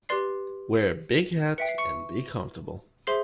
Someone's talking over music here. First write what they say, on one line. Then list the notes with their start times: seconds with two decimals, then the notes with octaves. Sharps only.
Wear a big hat, and be comfortable!
0.09 G4 B4 D5 C6 C7
1.58 B4 E5 G5 C#7
1.69 C7
1.78 C#6 C#7
3.07 G#4 C5 E5 C6 C7